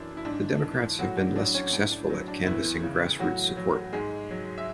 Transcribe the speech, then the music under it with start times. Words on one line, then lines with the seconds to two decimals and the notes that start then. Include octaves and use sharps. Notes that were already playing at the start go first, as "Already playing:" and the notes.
The Democrats have been less successful at canvassing grass-roots support.
Already playing: F#2 E3 D4
0.17 E4
0.25 G#2 D4
0.63 E3
0.99 A2 F#3 F#4
1.17 D4
1.36 F#3 D4
1.54 C#4
1.73 A2 D4
1.92 D4
2.09 F#3
2.28 D4
2.46 E2 E3 E4
2.83 C#3 E3
3.20 A2 F#3 F#4
3.57 F#3
3.93 G#2 G#3 G#4
4.31 F#3
4.58 E5